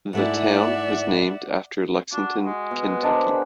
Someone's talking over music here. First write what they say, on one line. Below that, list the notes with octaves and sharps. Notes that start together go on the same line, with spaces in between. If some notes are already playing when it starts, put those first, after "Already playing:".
The town was named after Lexington, Kentucky.
G#2 A3 E4 D5 E5 F#5
D4 F#4
G#3
B2
D4 A#4 C5 D#5 A5
G#4 F#5 B5